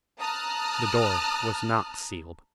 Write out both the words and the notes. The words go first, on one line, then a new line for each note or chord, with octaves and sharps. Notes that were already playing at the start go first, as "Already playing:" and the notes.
The door was not sealed.
A5 A#5 D#6 F6 F#6